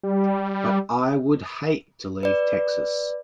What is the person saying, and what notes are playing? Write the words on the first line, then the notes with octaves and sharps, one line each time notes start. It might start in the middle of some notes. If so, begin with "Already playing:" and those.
But I would hate to leave Texas.
G3
B4 D5